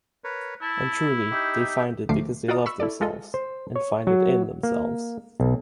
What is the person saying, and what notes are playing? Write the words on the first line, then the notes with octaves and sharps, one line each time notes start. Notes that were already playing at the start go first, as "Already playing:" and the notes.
And truly they find it because they love themselves and find it in themselves.
A#4 B4 C#5
E4 A5
D#4 G4 E5
D2 D3 F3 A3 D6 C7
F4 F#4 D5 D#5 A#5 D#6
B5 C#6 E6
E4 A4 D5
G#3 F4 A4 D#5
C5
C#5
F#3
A#3
B1